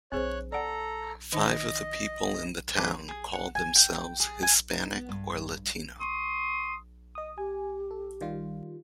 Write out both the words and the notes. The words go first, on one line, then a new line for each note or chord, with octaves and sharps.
Five of the people in the town call themselves Hispanic or Latino.
C4 G#4 C5 C#5 F#6
A4 D5 F#5 A#5
D#3 D#4 D#5 A5
E3 G#4 B4 A5 D6
G#4
F#5
G#5
G5
G#4
G#5
D#4
B3
G2
C6 C#6 D#6
D#5 D#6
G4 G#5
A4
D#3 G3 F4